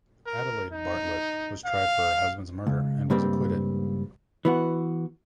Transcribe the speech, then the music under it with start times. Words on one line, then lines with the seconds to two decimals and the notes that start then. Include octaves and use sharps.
Adelaide Bartlett was tried for her husband's murder and was acquitted.
0.26 A#4
0.72 D#4
1.66 F5
2.67 C#2
3.10 C#2 G2 G3 A#3 C4
4.45 E3 B3 F#4